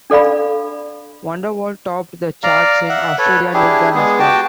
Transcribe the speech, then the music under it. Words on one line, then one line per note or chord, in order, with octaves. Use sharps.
"Wonderwall" topped the charts in Australia, New Zealand, and Spain.
D4 A4 D5 F5 B5
D5 F5 A#5
E5 F#5
A4 B4 C#5
D4 E4 G4 G#4
G#3 B3 G#4
F#4 G4 G5 A5